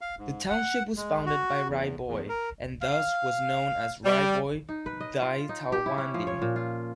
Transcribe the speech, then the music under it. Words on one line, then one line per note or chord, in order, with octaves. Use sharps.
The township was founded by Rai Bhoi and thus was known as Rai-Bhoi-Di-Talwandi.
F5
G#2
F#5
G#3
F#4
E2
E2
A#4
F5
G3
D#4
B4
D#5
F4
D#4
G4
E4
C#4
F3
C#5
A#2
F4